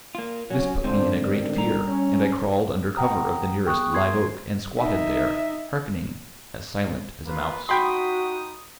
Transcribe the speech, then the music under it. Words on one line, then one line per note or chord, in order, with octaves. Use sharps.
This put me in a great fear, and I crawled under cover of the nearest live-oak and squatted there, hearkening, as silent as a mouse.
A#3 F4
F#3 C#4
G#2 D3 F3 C4 D4 C5
B1 D#3 D4
G3 A#5
C#4
F#5 G5 A#5 D#6
B3 G#4 G5 C#6 D#6 F#6
C6 G#6 C7
D#4 E5
A#3 F4 B4
D#4 F#4 G5 B5 C6 D#6